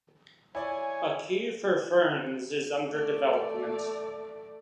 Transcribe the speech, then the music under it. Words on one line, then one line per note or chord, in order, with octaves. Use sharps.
A key for ferns is under development.
E4 C#5 D5 G#5
A3 D5